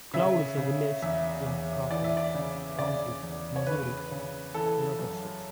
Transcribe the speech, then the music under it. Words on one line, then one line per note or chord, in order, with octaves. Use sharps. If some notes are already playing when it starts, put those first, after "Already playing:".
Cloud is a village in Crawford County, Missouri, United States.
C#3 E5
C#3
E2 E5
E2
E3 D5
E5
D5
C#3
C#3 D5
E2
C#5
C#3 B4
C#3
E3 A4
F#2